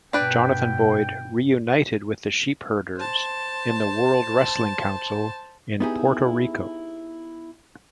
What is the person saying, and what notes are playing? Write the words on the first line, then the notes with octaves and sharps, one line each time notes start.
Jonathan Boyd reunited with the Sheepherders in the World Wrestling Council in Puerto Rico.
G2 B2 D4 B4 D5 G5
C5 A5
B3 D#4 E4 G4 G#4